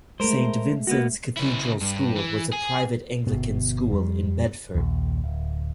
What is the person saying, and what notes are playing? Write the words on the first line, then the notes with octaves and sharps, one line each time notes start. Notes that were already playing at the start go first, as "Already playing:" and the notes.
Saint Vincent's Cathedral School was a private Anglican school in Bedford.
G#3 A3 A#4 C5
A#3 B3 F#4
C#3 E4
G2
E3
G#4
G1 B2
F2 G3
A#1 D#2
D1